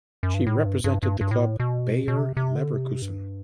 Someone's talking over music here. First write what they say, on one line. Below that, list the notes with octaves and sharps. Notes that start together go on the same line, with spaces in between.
She represented the club Bayer Leverkusen.
F#2
G2
A2
G2
G2
G2
G2
A2
B2
B2
C3
C3
D3
C3
G2